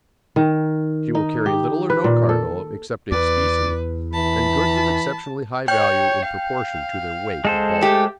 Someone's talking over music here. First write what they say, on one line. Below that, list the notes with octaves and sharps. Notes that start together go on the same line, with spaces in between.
She will carry little or no cargo excepting specie, and goods of exceptionally high value in proportion to their weight and bulk.
D#3
D#4
G4
B4
A#2
A4
E2 B4 D5
E3 A5 B5
C#5 G5 G6
F5
G#3 A4 C5
A3 G4